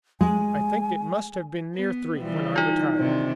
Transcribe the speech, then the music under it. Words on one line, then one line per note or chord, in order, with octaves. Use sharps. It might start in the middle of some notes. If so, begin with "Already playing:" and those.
I think it must have been near three when I retired.
G#3 G#5
B3
E3 F3 G3
D#4 F4
C3 D#3 D4